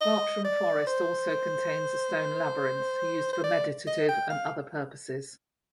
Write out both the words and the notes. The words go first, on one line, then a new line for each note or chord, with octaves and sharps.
Bartram Forest also contains a stone labyrinth, used for meditative and other purposes.
D#5
D5
C5
C5
D5
D#5
G5
F5